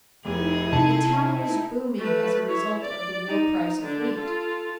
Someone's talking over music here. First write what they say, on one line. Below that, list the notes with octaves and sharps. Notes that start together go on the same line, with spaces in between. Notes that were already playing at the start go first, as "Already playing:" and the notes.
The town was booming, as a result of the war price of wheat.
F1 D#4 E4 G#4
C3 A5
A3 B4
E4 C#5
D5
D#4
D3 D4
F4 A4